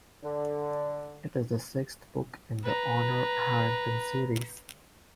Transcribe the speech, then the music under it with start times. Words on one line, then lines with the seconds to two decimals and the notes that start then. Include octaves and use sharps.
It is the sixth book in the Honor Harrington series.
0.23 D3
2.63 B4 A#5